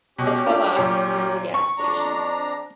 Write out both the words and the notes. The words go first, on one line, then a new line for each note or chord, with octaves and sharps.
The co-op runs a gas station.
B2 C#4 G4
D4 F4
F#2 A#2
C#6
F2 D4 A#5